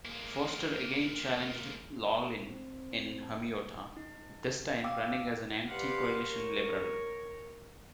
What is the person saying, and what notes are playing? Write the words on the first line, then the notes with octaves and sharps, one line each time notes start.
Foster again challenged Laughlin in Hamiota, this time running as an anti-coalition Liberal.
G#3 A#3
C4
D#4
F5 G5 D6 E6
G4 B4 C5 D5 F5 F#5
A#4 C#5